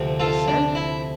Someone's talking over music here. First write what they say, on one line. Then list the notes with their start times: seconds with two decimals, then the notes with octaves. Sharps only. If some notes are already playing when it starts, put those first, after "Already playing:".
"Yes, sir."
Already playing: D2 C3 F3 C4
0.20 F4 A4
0.48 D4
0.75 E4